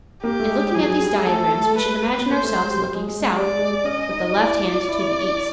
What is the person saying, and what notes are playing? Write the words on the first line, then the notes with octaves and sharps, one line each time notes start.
In looking at these diagrams we should imagine ourselves looking South, with the left hand to the East.
A#3 G4
A3
G#3
F#3 G#4
F#3
G3
A3 A4
A3
B4
B3
A#3 C5
A3
G#3
G3
F#3
G3
G#3
G#3
G#3
G3 D5
G#3
G#3
G#3
C#4 D#5
C#4
D#4
D#4
E4 D5
F4
E4